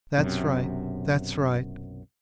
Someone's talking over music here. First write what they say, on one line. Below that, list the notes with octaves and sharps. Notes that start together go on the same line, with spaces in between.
That's right, that's right.
B1 F#2 C3